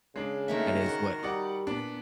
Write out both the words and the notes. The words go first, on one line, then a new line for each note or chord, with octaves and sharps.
that is what
C#3 G#3 D4
D#3 A3 A#3 E5 F#5 F6
F#4 A#4
G3 D#4 D5 F#5
A#2 B3 D4